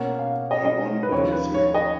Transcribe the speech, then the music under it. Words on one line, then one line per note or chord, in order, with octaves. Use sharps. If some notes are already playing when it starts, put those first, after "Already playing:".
He won by decision.
Already playing: B2 A#3 C#4 F#5
F5
D#5
C#5
D#5
B4
D#2 C#3 F3 C#5
B4
C#5
D#5